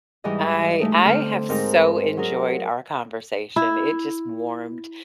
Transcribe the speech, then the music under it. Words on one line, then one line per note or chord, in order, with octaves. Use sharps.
I I have so enjoyed our conversation. It just warmed
G#2 E3 G3 G#4 D#5
G#3 A3 D#4
D3 C4 F6
G#2 C4 D#4 A#4
F#3 G#4 A#4
E4